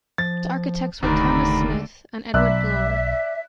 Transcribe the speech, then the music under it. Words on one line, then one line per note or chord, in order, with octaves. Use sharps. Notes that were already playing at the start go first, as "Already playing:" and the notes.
The architects were Thomas Smith and Edward Blore.
F3 A6
F1 D#2 D3 D#3 A3 A#5 B5
B1 D5 E5 E6 F#6